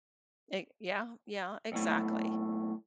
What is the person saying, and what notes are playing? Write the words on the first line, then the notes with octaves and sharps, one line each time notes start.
E yeah, yeah, exactly.
B1 A2